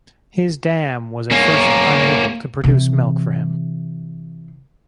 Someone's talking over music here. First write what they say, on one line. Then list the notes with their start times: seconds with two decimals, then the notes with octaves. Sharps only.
His dam was at first unable to produce milk for him.
1.32 A#3 C#4
2.64 C3 E3